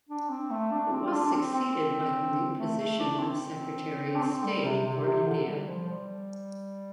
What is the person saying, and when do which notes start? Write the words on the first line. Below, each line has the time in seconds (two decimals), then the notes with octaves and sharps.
It was succeeded by the new position of Secretary of State for India.
0.09 D4
0.30 C4
0.51 A3
0.71 D4
0.92 C4
1.06 F4
1.12 D4
1.25 D4
1.33 C4
1.54 C4
2.58 A3
2.79 A3
2.99 D4
3.20 C4
4.16 D4
4.23 C4
4.44 G3
4.65 C3
4.85 C3
5.06 C3
5.27 D3
5.47 G3
5.68 F3
5.89 G3